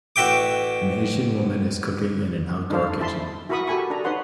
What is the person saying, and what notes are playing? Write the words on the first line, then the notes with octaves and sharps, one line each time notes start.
An Asian woman is cooking in an outdoor kitchen.
A1 F#4 E5 G5 D6
D4 D#4 A4 C5 F5
E4 E5 A5 C6
E4 F#4 A#4 B5 C#6 D#6
F#4 G4 A4 G#5 B5 C#6
D4 A4 A#5
D#4 B4 C#5 F#5 C6